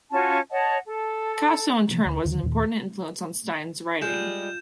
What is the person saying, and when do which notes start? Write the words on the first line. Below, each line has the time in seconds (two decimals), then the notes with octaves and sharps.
Picasso in turn was an important influence on Stein's writing.
0.11 C#4 F4 F#4 A5
0.51 C#5 D#5 F#5 A5
0.87 A4
1.90 C3 E3 F3 A#3
2.05 D2
2.25 D#2 D3 D#3
2.43 D#2 A#2 D#3
4.02 G3 G#3 F4 G6 E7